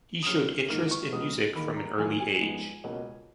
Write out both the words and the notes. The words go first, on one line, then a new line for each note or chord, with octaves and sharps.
He showed interest in music from an early age.
D#6
F#2 C#3 F#3 C#4 F6
G#2 D#3 A#3 F6
C#6
C#2 C#3 F3 G#3 B3 D#6
D#2 D#3 A#3 B5
A#5
G#1 F#2 F3 G#5
G#5
G#2 F3 G#3 B3
C#2 B2 A#3 C#4